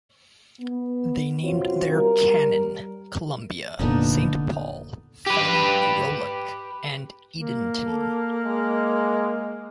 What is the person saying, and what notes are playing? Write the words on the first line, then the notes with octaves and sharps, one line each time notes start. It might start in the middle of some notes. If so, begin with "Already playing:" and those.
They named their cannon: "Columbia", "Saint Paul", "Fannie Roulac", and "Edenton".
B3
F#2 C3 C4 F4 F#4 C#5
G3 A#4
F1 A#2 D3 B3 D4 D#4
G4 B4
A#3
A4
G#3